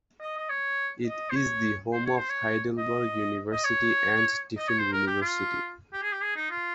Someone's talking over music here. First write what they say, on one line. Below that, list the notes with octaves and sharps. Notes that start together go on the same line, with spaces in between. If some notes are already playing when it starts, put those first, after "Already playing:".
It is the home of Heidelberg University and Tiffin University.
D#5
D#5
C#5
D#5
C5
C#5
C5
C#5
C5
C#5
D#5
D#5
C#5
D#5
C#5
C5
A#4
G4
F4
G4
G#4
G4
G#4
D#4
F4